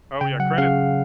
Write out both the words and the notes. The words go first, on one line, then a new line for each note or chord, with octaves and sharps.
Oh, yeah credit
C#3 G5
F#3 F#5
C#3 F5